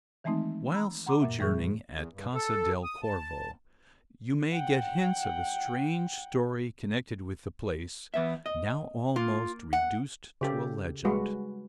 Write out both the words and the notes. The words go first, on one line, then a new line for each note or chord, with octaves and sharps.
While sojourning at Casa del Corvo, you may get hints of a strange story connected with the place--now almost reduced to a legend.
D#3 E3 G#3 A3 C4 D#4
A#5 B5 E6
F#5 A#5 C6 D6
F#2 A#2 A#3 E5
E3 G3 G#4 E5 C#6 G6
E2
G2
A4
D#6
A5
F#5 G5
E3 B3 E5
D#5
A#3 F4
F#5
C#3 G4 A4
G3 G#3 F#4 B4